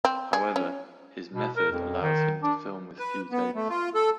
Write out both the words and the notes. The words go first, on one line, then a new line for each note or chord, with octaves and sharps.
However, his "method" allows him to film with few takes.
C4
G#4
C#4
B2
A#4
F2
D#3
D4
B4
B3
A3
F4
A4